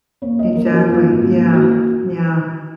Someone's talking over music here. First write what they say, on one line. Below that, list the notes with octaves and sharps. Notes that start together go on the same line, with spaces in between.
Exactly. Yeah. Yeah.
A#3 C#5
D#5
F3
A#4
F#2
F#4
A#3 F4
G#1
F#4
A#3
F#4